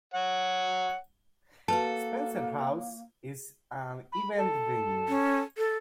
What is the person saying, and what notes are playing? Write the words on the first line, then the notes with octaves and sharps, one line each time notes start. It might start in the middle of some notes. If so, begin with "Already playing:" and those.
Spencer House is an event venue.
C#5 F#5
A#3 F#4 A4 B4 A5
B5
A4
C#4
A4